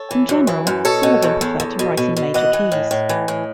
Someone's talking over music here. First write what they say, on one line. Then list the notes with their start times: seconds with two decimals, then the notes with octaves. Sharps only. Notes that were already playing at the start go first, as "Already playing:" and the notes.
In general, Sullivan preferred to write in major keys.
Already playing: A4 C#5
0.11 E3
0.29 F#2
0.47 E3
0.67 F#2
0.85 B2 A4 C#5
1.03 B2
1.22 E2
1.41 E2
1.60 E2
1.79 B2
1.97 B2
2.16 B2
2.34 E3 D#5 F#5
2.53 E3
2.72 A2
2.91 A2
3.09 E3
3.28 A2